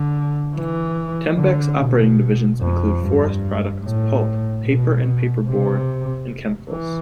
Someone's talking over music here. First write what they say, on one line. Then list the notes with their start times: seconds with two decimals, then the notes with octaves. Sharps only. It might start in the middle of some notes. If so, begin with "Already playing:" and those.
Tembec's operating divisions include Forest Products, Pulp, Paper and Paperboard, and Chemicals.
Already playing: D3
0.56 E3
1.38 D3
1.78 B2
2.60 F2
3.02 G2
3.84 A2
4.65 B2
5.48 C3
6.71 E3